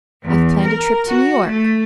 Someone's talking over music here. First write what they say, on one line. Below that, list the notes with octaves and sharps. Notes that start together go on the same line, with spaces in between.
"I've planned a trip to New York."
E2
A#4
F#4
A3